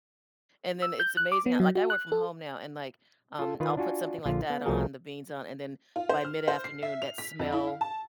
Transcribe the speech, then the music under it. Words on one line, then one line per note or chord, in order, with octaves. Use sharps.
And then it's amazing I like, um, I work from home now and, like, um, I'll put something like that on- the beans on- and then by mid-afternoon, that smell
E6
G6
F#6
D6
B3
F#3
F#4
F#6
A4
F4 A4
D#3 F4 B4
D4 F4 F#4 G#5
A#1 D3 F4
B3
C2 F3 A3 F#4 G#4 A#4
F4
C5
F6
C5
C7
E5
F7
B6
F2
E4
F5
A5